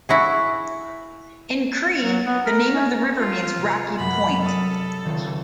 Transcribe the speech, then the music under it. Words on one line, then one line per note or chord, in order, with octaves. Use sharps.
In Cree the name of the river means "rocky point".
E4 F#4 G#4
F#3
B3
A#4
C#4
F4
C3 B3
F#2 C3 F#5 B5
A4 D#6 F6
C#2 C3 D#3